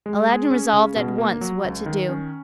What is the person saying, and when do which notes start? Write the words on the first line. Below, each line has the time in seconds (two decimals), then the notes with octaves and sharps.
Aladdin resolved at once what to do.
0.06 G#3
0.29 G#4
0.51 C#4
0.73 C#3
0.96 B2
1.18 A#3
1.41 F#3
1.64 C#2
1.86 D#3
2.09 C#4